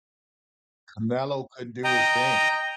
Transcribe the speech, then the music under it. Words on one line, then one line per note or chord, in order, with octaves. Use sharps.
Canelo couldn't do his thing.
D#5 G5 A#5